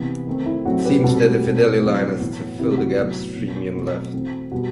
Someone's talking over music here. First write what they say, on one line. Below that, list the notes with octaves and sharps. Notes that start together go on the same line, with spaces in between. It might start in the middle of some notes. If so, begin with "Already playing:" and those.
It seems that the Fidelio line is to fill the gap streamium left.
Already playing: C3 E3 B3
D#3 A3 C4
E4
A2 F#3 A3 C4 F#4
G4 B4
B2 G3 C4 F#4 A4
B2 A3 C4
A2 F#3 C4
A2 E3 B3
C3 D#3 A3 C4 E4 G4
F#4
A2 F#3 B3 F#4
B2 F#3 B3
B2 F#3 A3 C4 F#4
E3 A3 C4
B2 G3 B3 F#4